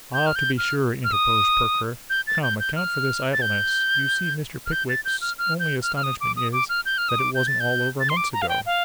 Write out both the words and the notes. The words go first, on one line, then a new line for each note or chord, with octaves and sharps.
'Ah, to be sure!' interposed Perker; 'come, account for this idleness. You see Mr. Pickwick's only astonishment is, that it wasn't all over, months ago.'
G6
F6
G6
F6
F6
D#6
G6
A6
G6
G6
F6
A6
G6
F6
G6
A6
G6
F6
F6
G6
F6
F6
D#6
D6
D#6
D6
F6
G6
F6
D#6
D6
G6
A6
G6
A6
C6
D6
A#5
F5
G5
F5